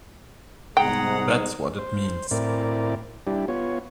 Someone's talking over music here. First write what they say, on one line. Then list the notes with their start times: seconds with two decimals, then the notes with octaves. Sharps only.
That's what it means!
0.77 C2 G#2 B3 G#4 F#5 G5 A#5
1.79 C5
2.31 A2 C4 E4 A#4 D5
3.27 G3 D4 E4 G4
3.48 B3 F4 C#5